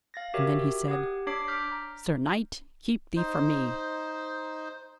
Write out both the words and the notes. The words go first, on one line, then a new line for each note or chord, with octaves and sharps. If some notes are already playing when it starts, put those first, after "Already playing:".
And then he said: Sir knight, keep thee from me.
F5 A6 A#6
F#4 G4 A#4 C#5 E5
G4 F#5 D#6
D4 C#5 D6 C7
D6 F6 G6 B6
A#5
D#4 C5